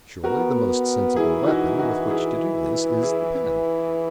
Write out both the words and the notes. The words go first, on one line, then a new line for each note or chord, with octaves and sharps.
Surely the most sensible weapon with which to do this is the pen.
B3 F#4 A#4
E3 E4 G#4
E4
D#4 F#4
D#4 F#4
E4 G#4
E4 G#4